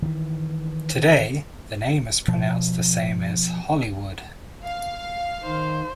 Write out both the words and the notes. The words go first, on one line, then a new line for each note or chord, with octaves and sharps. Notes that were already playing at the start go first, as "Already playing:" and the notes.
Today, the name is pronounced the same as "Hollywood".
D#3 E3
B2 F3
F5
D#3 C5